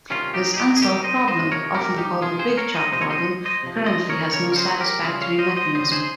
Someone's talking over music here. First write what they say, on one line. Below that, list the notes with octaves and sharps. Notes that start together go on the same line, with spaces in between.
This unsolved problem, often called the "big chop" problem, currently has no satisfactory mechanism.
C3 D#3 G3 C#4 F4
D#4 G4
G#4
D#4 G4
G#4
C3 D#3 G3 D#4 G4
C5 D#5
C5 D#5
C3 F3 A#4 C#5
G4 A#4
D#4 G4
C3 F3 F4 G#4
G#4 C5
A#4 C#5
C5 D#5
C3 F3 C5 D#5
C#5
C5 D#5
C5 D#5
C3 F3
C5 D#5
A#4 C#5
C#3 G3 A#4 C#5
A#4
G#4 C5
G4 A#4
C#3 G3 F4 G#4
C#5 F5
C5 D#5
C5 D#5
C#3 G3 C5 D#5
G#4 C5